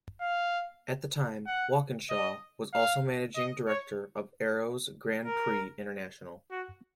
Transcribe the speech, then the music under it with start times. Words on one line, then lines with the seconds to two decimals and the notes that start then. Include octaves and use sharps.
At the time, Walkinshaw was also managing director of Arrows Grand Prix International.
0.21 F5
1.47 F#5
2.10 D#5
2.74 F5
3.36 D#5
3.68 C#5
5.25 A#4
6.51 F#4